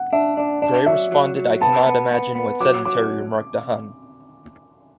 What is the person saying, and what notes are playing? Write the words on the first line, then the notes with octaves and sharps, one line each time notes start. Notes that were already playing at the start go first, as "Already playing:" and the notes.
Gray responded I cannot imagine what sedentary remark the hon.
Already playing: F#5
D4 E5
D4 D5
D4 D5
F#3 E5
F#3
F#3
B3 A5
B3
B3
B3
F#3 D6
F#3 D6